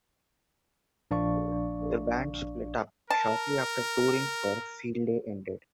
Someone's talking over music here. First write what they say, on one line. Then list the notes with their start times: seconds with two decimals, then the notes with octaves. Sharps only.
The band split up shortly after touring for "Field Day" ended.
1.11 A#1 D4 D5 F5 C#6
3.10 A#4 A5